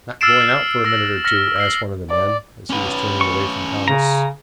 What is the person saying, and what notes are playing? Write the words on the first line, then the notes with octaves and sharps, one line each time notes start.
"Not going out for a minute or two?" asked one of the men, as he was turning away from Thomas.
E6 F6 A6 C7 D7 E7
E6 A#6
F6 A#6 B6 C#7
E6 C7
D5
C#4 B4
C#6
C#3 A#5